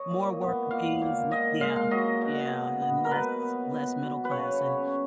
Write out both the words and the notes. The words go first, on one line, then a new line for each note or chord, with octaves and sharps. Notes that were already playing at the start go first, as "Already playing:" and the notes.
More worker bees, le yeah, yeah, and less less middle class, and
Already playing: C#5 D#5
A#2
B3
A#2 F5
A#2
A#2 D#5
G#3 F5
F5
F#3 D#5
B2
B2
B3
A#4
B2 B4
B3
B3
B2
B4
C#3 C#5
C#3